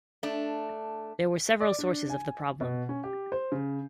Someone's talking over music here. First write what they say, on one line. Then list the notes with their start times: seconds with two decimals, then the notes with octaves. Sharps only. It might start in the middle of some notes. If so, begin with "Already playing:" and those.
There were several sources of the problem.
0.23 A3 D4
1.60 D5
1.79 D4
2.09 G#5
2.61 B2
2.89 C#4
3.04 G4
3.32 C5
3.52 C#3